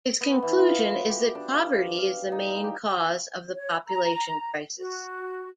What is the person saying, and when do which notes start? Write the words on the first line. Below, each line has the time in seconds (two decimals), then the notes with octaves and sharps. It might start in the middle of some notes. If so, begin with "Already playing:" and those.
His conclusion is that poverty is the main cause of the population crisis.
0.21 B3
0.42 E3
0.59 F4
0.79 F#4
1.09 G4
1.35 D4
1.54 F5
1.98 F5
2.32 D#4
2.48 G3
2.64 G4
3.54 C#5
3.86 A#5
4.80 F#4